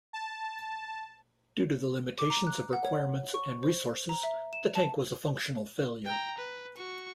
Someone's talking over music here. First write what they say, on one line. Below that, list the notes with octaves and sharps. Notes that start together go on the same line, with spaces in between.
Due to the limitations of requirements and resources, the tank was a functional failure.
A5
D6
A#5
F#6
F#5
C#5
C#6
C5
A#5
E5
E7
A5
G5 A#5
B4
F#4 C#6